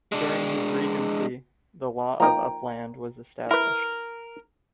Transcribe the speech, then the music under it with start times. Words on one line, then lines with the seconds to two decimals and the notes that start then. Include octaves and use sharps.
During his regency, the law of Uppland was established.
0.12 G#3 D4
2.20 F3 A#3 D#4 G5 A#5
3.51 E4 A#4 B4